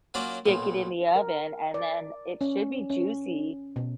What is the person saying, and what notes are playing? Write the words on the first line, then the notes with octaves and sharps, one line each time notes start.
stick it in the oven and then it should be juicy
F#3 A#3 C#4 F4 D5 F5
B1 A#2
A#4
D5
C#4
C#4
B2